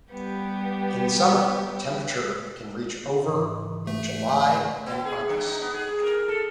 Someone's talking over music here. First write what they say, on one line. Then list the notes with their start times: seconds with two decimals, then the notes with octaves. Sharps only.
In summer temperature can reach over in July and August.
0.12 G3 B3 G4
3.24 G#2 C#3 E3
3.87 A3
4.86 B3
5.06 G#4
5.29 D3
5.47 D#4
5.61 B3
5.74 G#4
6.03 A#4
6.28 A4